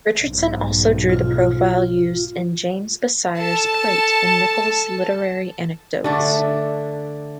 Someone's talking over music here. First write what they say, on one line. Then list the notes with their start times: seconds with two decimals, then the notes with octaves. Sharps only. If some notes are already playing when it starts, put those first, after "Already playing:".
Richardson also drew the profile used in James Basire's plate in Nichols's Literary Anecdotes.
0.19 B1 G#2
1.10 F4
3.38 A4 A5
6.04 D3 A3 D4